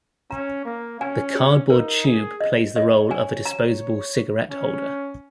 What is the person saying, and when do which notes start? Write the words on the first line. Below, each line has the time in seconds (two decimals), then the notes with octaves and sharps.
The cardboard tube plays the role of a disposable cigarette holder.
0.31 C#4 A#5
0.65 A#3
1.00 C#4 G#5
1.35 G#4
1.70 D#4 A#4
2.06 G#4
2.41 D#5
2.75 C#5 D#5
3.11 G#5
3.45 A#5
4.50 C#4